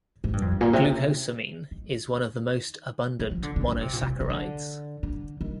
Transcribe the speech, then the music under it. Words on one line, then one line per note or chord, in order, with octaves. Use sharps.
Glucosamine is one of the most abundant monosaccharides.
G#2
G2
F2
G2
A#2
C3
C3
D#3
D#3
F3
D3
D3
D3
C3
A#2
C3
D#3
D3
D3
D#3